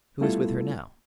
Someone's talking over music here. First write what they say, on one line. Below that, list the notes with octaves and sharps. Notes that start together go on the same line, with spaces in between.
"Who is with her now?"
G3 A3 B3 E4 F4 A4